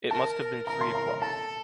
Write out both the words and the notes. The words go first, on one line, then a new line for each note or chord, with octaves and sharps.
It must have been three o’clock.
A#4 A5
A#4 A#5
C6
A#5
A#5
A4 A5